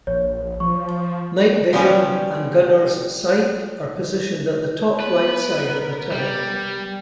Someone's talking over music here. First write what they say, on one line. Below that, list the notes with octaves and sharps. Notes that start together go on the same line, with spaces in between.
Night vision and gunner's sight are positioned on the top-right side of the turret.
A#1 C#5
F3 C#6
G#3
F3 G3 B3 C#4
B3 A#4 B4
G3